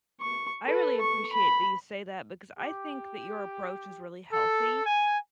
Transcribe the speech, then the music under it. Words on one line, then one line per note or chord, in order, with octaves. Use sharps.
I really appreciate that you say that, because I think that your approach is really healthy.
C#6
A4 B4
C#6
B5
G4
A4
G#5